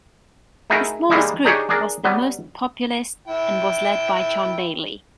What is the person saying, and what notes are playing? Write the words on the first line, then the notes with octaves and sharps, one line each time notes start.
The smallest group was the most populist and was led by John Bailey.
A3 D#4 E4 F#4 G#4 A#4
E3 G3 G#3 A#3 D#4 E4
D4 D#4 G4 G#4 C#5
D4 G#4 A#4
F#3 G3 B3 B4
E4 G5